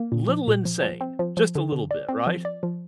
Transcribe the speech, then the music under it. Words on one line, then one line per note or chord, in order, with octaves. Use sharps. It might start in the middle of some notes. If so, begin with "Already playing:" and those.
Little insane, just a little bit, right?
Already playing: A#3
A#2
F3
A#2
F3
F3
C4
F3
F3
D3
D3
D5
C4
F3
D5
F3